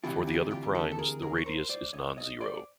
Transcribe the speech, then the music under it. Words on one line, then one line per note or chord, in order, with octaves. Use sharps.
For the other primes the radius is non-zero.
D2 C3 E3 F4 G4
F4 G4
F4 G4
G4 A4
A4
G#4 A#4
G#4 A#4
C#5
A#4 C5
C5 D5
C#5 D#5
C#5 D#5
C5 D5